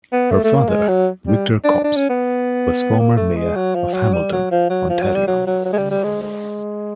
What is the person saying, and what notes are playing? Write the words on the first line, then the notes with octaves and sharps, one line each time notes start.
Her father, Victor Copps was former Mayor of Hamilton, Ontario.
B3
A3
A3
A#3
G#3
F#3
G3
D4
D4
C#4
B3
A#3
A3
G#3
F#3
F3
F#3
G3
F#3
F3
F#3
F3
F#3
G3
F#3
F#3
F#3
G#3
G3
G3
G#3
G#3